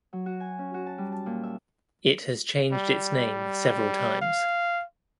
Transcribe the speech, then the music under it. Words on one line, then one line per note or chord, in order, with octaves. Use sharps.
It has changed its name several times.
F#3
F#4
G#5
C#4
F#4
A5
G3
A5
A#2
E5
G3
F5